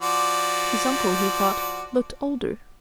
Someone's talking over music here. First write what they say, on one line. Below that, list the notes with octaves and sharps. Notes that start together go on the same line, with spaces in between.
His uncle, he thought, looked older.
F3 F#4 D5